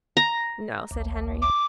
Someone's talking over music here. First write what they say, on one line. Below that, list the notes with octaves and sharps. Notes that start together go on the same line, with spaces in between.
"No," said Henry.
A#5
A1 D2
D6